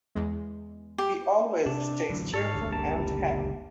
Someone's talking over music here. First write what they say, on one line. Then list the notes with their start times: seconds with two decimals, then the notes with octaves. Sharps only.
He always stays cheerful and happy.
0.15 E2 G#3
0.98 G4
1.66 C3 D4
2.10 A1 D3 F#3
2.34 G#2 A4 C#5 F5
2.54 F#1 C#2 D3
2.72 G3 A#3 A5